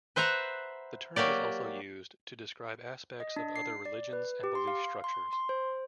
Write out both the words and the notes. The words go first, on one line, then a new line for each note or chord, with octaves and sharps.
The term is also used to describe aspects of other religions and belief structures.
B4 C5 E5 F#5 A#5
F#3 A#3 G4 D5
D#5
D4
C7
D5
B4
G4
C6
F5
C6
C6
C5